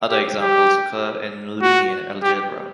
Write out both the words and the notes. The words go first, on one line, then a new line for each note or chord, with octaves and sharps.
Other examples occur in linear algebra.
G4
G4
F#4
G4